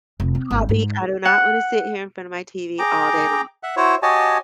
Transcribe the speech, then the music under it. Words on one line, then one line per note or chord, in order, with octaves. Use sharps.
a hobby, I do not wanna sit here in front of my TV all day long.
F1
C4
G#1
G#2
F#5
G#4 G5 A#5 D6
E5 F#5
E4 F#4 C5 C#5
F#4 G4 C#5 D#5 G#5 A5